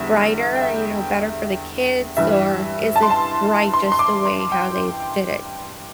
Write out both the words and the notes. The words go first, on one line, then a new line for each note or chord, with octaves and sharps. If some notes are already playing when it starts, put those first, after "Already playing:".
brighter, you know, better for the kids? Or is it right just the way how they did it?
Already playing: E2 D3 G3 E5
G5
E5
G2 E3 G3 E5
A5
C6
A5
C6
C6
D6
C6
G5